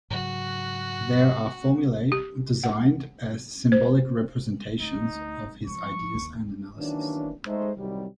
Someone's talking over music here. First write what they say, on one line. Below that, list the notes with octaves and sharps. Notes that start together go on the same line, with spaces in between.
They are formulae, designed as symbolic representations of his ideas and analyses.
G#2 C#3 F#3 F#4
G4
F#5
C5
D2 D#4
F3 C#6
D#2
D#3 E3 F#3 A#3 C#4 D4
G#3 A3 D#4 C5
C2 C3 D#3 F#3 G3